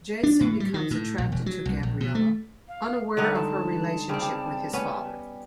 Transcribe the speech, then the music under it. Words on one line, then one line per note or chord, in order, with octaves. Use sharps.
Jason becomes attracted to Gabriela, unaware of her relationship with his father.
D4
A2
G3
D#3
A2
A#1
E1
F#3
C2
A#1
B2
A3
F5
D3 G3 D#4 F#5
G#3 A5
C#3 G3 C4
G4
B3 C#4